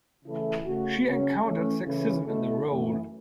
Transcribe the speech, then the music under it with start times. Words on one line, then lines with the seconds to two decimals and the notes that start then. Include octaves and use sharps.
She encountered sexism in the role.
0.23 C#3 E3 A3 E4 A4
0.63 C#3 A3 F#4
1.03 C#3 F#3 C#4
1.44 E3 A3 C#4
1.83 C#3 E3 C#4 E4 A4
2.23 B2 A3 E4 A4
2.63 F#2 E3 A3